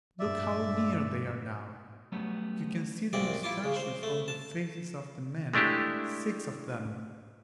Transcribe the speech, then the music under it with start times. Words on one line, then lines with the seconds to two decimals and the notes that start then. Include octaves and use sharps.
Look how near they are now!-- You can see the mustaches on the faces of the men--six of them.
0.20 G2 A#2 D5 E5
2.12 F#3 G3 A3 B3 C#4
3.13 C2 F#2 A#2 C4 D5
3.43 E4 F4 D6
3.64 C#3
3.76 C5
4.03 A3
4.28 A5
5.53 G#3 A3 D4 E4 G4